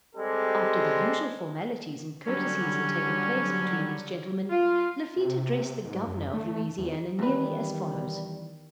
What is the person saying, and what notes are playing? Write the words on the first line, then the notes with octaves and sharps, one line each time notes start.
After the usual formalities and courtesies had taken place between these gentlemen, Lafitte addressed the Governor of Louisiana nearly as follows.
G3 G#3 C4 G4 A4
D3 F#3 G3 C#4
F4
C3
G#2
F#2
A3
E2
E2 D#3 G3 B4